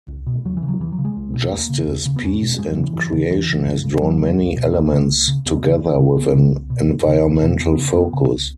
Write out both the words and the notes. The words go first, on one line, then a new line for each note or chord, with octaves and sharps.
Justice, Peace and Creation has drawn many elements together with an environmental focus.
C#2
B2
D#2 F#3
E3
C#3
F#3
D#2 E3
F#3
C#3
G#3
C#2
B2
D#2 A#3
C#3
D#2
C#3
B3
E2 C#4
B2
F#2 G#3
F#3
C#3
E3
F#2
C#3
E2 E3
C#3
F#2
C#3
F#2 F#3
C#3
C#2
B2
C#2 A#3
C#3
C#2
C#3
D#2 B3
C#3
D#2
C#3
C#2 B3
C#3
C#2
B2
F#2
C#3
C#2
B2
E2 B3
B3
C#3
F#2 B3
C#3
C#2